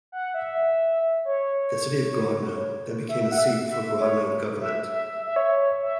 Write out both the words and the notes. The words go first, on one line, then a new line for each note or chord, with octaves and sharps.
The city of Grodno then became a seat for Grodno Governorate.
F#5
E5
C#5
E5
F#5
E5
E5
C#5
E5
E5
E5
C#5
E5